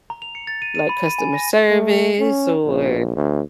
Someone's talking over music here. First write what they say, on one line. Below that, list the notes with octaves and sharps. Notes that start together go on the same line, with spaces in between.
like customer service or,
A#5
F7
C#7
A6
D#7
D#7
B5
D#7
G#5
A#6
A3
C#4
A#1
D2